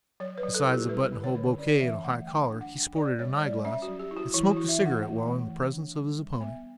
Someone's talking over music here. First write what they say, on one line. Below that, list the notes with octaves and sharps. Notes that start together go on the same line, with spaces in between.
Besides a buttonhole bouquet and high collar, he sported an eye-glass, and smoked a cigarette while in the presence of his opponent.
F#3 C#5
B4
F#3
A4
E4
G4
G3 B4
D3
C#5
D3
C#4 D5
E3 E5
A3 F#5
F#3 G5
D4
F#5
F#3
C#4 D5
G3 C#5
G3 D5
C#4 E5
F#4
F#3
G4
E4
F#4
E3 E4
F#4
E4
E5
E3
F#5
A3
E3
E3
D4
G3
G3
B3 E5